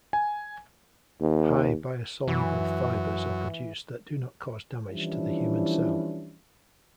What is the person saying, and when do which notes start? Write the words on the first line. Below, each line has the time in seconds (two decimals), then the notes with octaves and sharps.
High biosoluble fibres are produced that do not cause damage to the human cell.
0.13 G#5
1.21 D#2
2.28 F#2 E3
4.92 E3 F3 G3 C#4 D4 E4